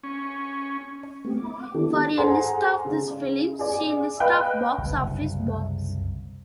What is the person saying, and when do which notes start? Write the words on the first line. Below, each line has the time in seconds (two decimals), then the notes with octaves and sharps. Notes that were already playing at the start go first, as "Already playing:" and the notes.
For a list of these films, see List of box office bombs.
0.03 C#4
1.25 A3 B3 C4
1.38 D6
1.75 D#3 B3 D4 E4 G4 A4
2.18 G#4 A4 C5 F#5 A#5 C6
2.86 C#3
3.59 G#4 D5
4.20 B4 D#5 F5 G5 F6 F#6
4.78 F#1 C2